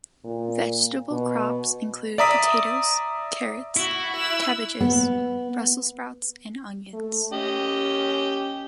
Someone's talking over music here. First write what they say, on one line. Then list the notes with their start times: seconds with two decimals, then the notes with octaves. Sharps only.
Vegetable crops include potatoes, carrots, cabbages, brussels sprouts and onions.
0.24 A#2
1.11 B2
2.18 D5 E5 A#5 D#6 B6
3.76 E4 F#4
4.16 E6 F#6
4.81 B3
6.94 A3
7.33 C#4 G4 D#5